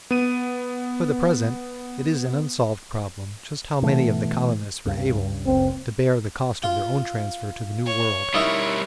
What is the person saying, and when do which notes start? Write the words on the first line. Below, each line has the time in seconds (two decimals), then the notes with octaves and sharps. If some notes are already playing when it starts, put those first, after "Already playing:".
For the present it is an unsolved problem just how many of the colonists were able to bear the cost of their own transfer to the New World.
0.11 B3 D#7
3.83 B2 E3 A3
4.86 C#2 G2
5.47 F#1 C#2 C4
6.64 F4
7.86 C#5
8.34 G3 D#4 E4 A#4 C#6